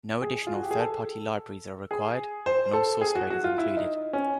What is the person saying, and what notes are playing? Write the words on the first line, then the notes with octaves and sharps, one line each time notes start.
No additional third party libraries are required, and all source code is included.
G#4
F4
F#4
G4
G#4
A4
G#4
C5
A4
G#4
F#4
F#4
F4
E4
D#4
C#4